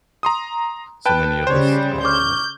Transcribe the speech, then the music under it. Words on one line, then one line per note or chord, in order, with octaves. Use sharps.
so many of us uh,
A#5 C6 D#6
B4 G5 A5 F#6
C#3 G3 C5 C#5
C#6 D6 F6 G6